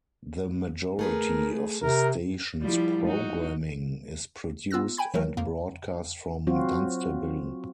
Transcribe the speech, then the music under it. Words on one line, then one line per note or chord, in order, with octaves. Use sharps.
The majority of the station's programming is produced and broadcast from Dunstable.
A3 G#4 A#4 B4
C3 A#4
F3 G3 E4
D#4 F#4
B3 F4 E6 F#6 A#6
G5 G#5 B5 G#6
E3 F#3 A3 A#4
F2 A#3
F#3 C4 F4 F#4